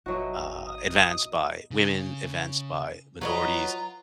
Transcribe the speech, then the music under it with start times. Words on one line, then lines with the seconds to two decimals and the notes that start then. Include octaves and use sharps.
uh, advanced by women, advanced by minorities,
0.06 G#1 B2 F#3 D#4 F#4 D#5 E5
0.66 D#6
1.71 C#3
3.21 F#3 F4 B4 D#5 A#5